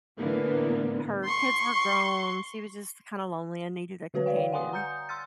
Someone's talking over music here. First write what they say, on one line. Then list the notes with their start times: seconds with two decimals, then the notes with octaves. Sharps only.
her kids were grown, she was just kinda lonely and needed a companion.
0.18 A2 D3 E3 A#3 B3
1.25 C6 C#6
4.14 D3 G3 F#4 B4 C#5
4.26 C#5 D5 F5 G5
4.52 F#5 G#5 C6 D#6
4.73 A#5 D#6 G6 C#7
5.09 C6 E6 F6 A6